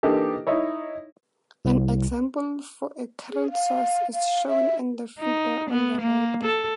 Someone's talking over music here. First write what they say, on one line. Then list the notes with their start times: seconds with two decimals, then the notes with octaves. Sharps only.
An example for a current source is shown in the figure on the right.
0.03 E3 A#3 D4 D#4 G4 A4
0.47 D#4 E4 C#5
1.65 C2
3.31 G#4
3.51 F5
4.13 F5
4.48 E5
5.19 D#4
5.70 B3
6.01 A#3
6.44 A4